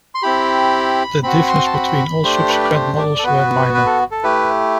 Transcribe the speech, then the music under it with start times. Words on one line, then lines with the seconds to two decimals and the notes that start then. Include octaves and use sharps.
The differences between all subsequent models were minor.
0.15 C6
0.23 C4 E4 G4 B5
1.23 C4 F#4 B5
1.48 C6
1.66 A5
1.73 B5
2.23 A3 D4 G4 C5
2.49 B4
2.64 D5
2.74 C5
2.98 D5
3.19 A4
3.23 B3 F#4 B4
3.75 B4
3.86 A4
4.11 A4
4.24 A3 E4 G4 B4